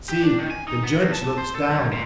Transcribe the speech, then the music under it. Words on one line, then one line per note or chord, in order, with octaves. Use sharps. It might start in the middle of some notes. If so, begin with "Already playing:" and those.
See! the Judge looks down ...
G4
D4
D#3
G#5
D#4
B3
E2
A5
C5
A4
F#2
A#2